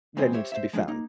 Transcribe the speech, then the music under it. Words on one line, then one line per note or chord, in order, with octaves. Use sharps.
that needs to be found.
E2 G#2 E3 C4 G#4 C5
G4 C5 C#5 E5
C5 C#5 E5
F3 G#3 D4 D#4 F4
A#3 D#4